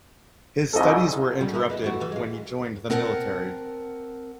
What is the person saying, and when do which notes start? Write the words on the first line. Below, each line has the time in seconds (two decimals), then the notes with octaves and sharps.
His studies were interrupted when he joined the military.
0.73 C2 F2 G#2 A4 D#5
1.40 C#3 G3 F#4
1.52 G#3 A#3 E4
1.70 B3 D#4 E4
1.82 E3 A3 F#4
2.00 E3 G3
2.12 G#3 F4
2.90 C4 A#4 F#5 G#5 A5